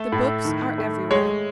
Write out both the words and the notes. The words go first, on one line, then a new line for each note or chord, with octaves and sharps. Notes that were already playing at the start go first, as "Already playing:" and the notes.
The books are everywhere.
Already playing: A3 A4
A2
D#3
A3
G#3 C#5